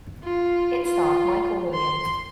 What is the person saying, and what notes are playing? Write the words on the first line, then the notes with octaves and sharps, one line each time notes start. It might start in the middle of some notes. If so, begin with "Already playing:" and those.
It starred Michael Williams.
F4
F4
C6